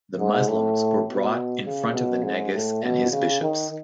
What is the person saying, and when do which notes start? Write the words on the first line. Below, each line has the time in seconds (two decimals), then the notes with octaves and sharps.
The Muslims were brought in front of the Negus and his bishops.
0.19 G#2
0.47 A2
1.07 B2
1.66 C#3
1.94 B2
2.23 G#2
2.53 A2
2.82 B2
3.11 C#3
3.42 D#3